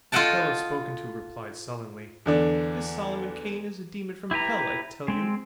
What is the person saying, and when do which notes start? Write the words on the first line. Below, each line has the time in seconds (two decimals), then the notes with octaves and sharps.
The fellow spoken to replied sullenly, "This Solomon Kane is a demon from Hell, I tell you."
0.12 F4 A4 D#5 F#5 G5 A5
2.26 E2 D3 D4
4.31 E4 G4 B4 A#5
5.08 G#3 C4